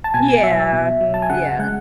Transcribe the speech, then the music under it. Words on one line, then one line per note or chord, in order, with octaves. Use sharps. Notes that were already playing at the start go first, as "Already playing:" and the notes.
Yeah. Yeah.
A5
B2 G#5
F#3 E5
B2
F#3
A5
G#5
C#3 F#5
G#3 F#5